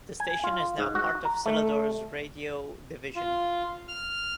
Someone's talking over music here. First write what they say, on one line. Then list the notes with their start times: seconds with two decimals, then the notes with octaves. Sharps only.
The station is now part of Celador's radio division.
0.20 G#5
0.44 F4
0.78 G#2
0.95 F#4
1.25 A#5
1.46 A3
3.16 F4
3.88 F6